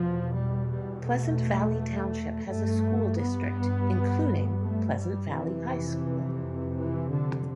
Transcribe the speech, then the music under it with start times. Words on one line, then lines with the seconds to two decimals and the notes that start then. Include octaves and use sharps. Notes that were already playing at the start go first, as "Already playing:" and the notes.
Pleasant Valley Township has a school district, including Pleasant Valley High School.
Already playing: E2 B2 F3
0.34 G3
0.70 G3
1.06 A3
2.48 G2 A3
3.18 B3
4.60 A3
4.97 G3
5.31 F2 C3 E3
6.74 E3
7.10 D3